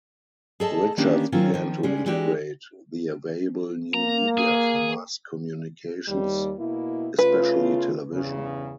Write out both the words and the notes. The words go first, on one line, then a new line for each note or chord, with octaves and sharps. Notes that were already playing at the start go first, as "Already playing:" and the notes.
Richards began to integrate the available new media for mass communications, especially television.
G#4 A4 D#5 A5
D#3 A#3 B3 C#4 D4 G4
D#3 F#3 C4 C#4 F4 F#4
D#3 F3
C#3 G3 G#3
E3 G#3 D4 F#4 G4
A#3 A#5
G#4
D#2 G3
B2 A#3 E4
C#3 A3 F4 B4
E2 G2 C#3